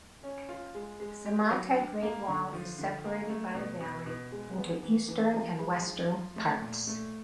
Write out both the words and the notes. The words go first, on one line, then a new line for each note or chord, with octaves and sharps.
Simatai Great Wall is separated by a valley into eastern and western parts.
C#4
F4
G#3
G#3
G4
F#3
D4
A#3
D3
F3
D3
A#3
A3
B2
B2
B2
G#3
B3
E3
E3
F3
G#3
F3
F3
A3
A#2
A3